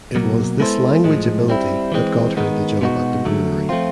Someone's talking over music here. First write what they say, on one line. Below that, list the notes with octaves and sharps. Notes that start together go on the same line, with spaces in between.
It was this language ability that got her the job at the brewery.
B2 F#3 A#3
G#3 B3 E4 A4 C5
A2 F3 G#3
G3 C4 E4
E3 G#3 C4
D#3 G#3 B3
B2 G#3 B3 D#4 F#4
D3 F#3 A3
F3 A3 C4 F4